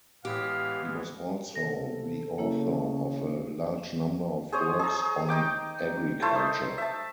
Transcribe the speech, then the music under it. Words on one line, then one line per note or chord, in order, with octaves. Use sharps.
He was also the author of a large number of works on agriculture.
A2 E3 G#3 B3 G4 F5
C3 A4 A#6
C#3 A#3 E4 C#5
G#4 C5 C#5 D#6
G#4 A#5
D#4 G5 D6
A3 E4 C5 A5
D#4
E5 A5